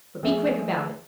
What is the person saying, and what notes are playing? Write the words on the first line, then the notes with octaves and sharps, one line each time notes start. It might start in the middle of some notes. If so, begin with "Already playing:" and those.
"But be quick about it."
F3 A3 G#4 E5